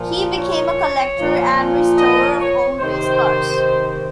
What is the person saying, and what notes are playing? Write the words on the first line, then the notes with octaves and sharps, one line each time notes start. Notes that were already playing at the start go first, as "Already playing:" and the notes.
He became a collector and restorer of old race cars.
Already playing: A#2 F3
C#5
A#2 F3
D#5
C#5
C3 D#3 C5